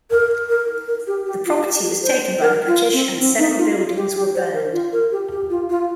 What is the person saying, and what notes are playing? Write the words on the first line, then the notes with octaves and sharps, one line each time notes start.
The property was taken by the British and several buildings were burned.
A#4
A#4
A#4
G4
G4
F4
G4
C5
A#4
F4
C4
C4
D#4
F4
F4
G4
G4
C5
A#4
F4
A#4
G4
G4
F4
F4